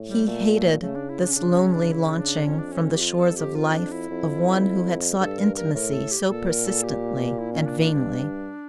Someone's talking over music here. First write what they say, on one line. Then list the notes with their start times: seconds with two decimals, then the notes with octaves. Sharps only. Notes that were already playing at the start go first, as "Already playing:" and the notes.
He hated this lonely launching from the shores of life of one who had sought intimacy so persistently and vainly.
Already playing: A2
0.09 G3
0.27 A#2 A3
0.54 A3
0.81 C#3 A3
0.95 D4
1.09 E4
1.23 D4
1.30 C#4
1.36 C#3 D4
1.54 C#4
1.73 D4
1.92 E4
2.18 D4
2.45 F2 C#4
2.59 D4
2.72 C#4
2.93 G4
3.01 F4
3.19 A4
3.37 G4
3.55 F4
3.74 D4
3.92 E4
4.11 F2
5.19 G2 A4
5.38 A#4
5.56 A#4
5.75 A2 A#4
5.93 A4
6.11 G4
6.29 A#2 A4
6.47 A#4
6.66 A4
6.84 G4
7.39 E4
7.53 C#4
7.66 D4
7.80 D4
7.94 G2